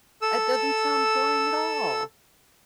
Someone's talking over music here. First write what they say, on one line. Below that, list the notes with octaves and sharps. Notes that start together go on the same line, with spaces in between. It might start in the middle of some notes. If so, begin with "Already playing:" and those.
It doesn't sound boring at all.
A4 E6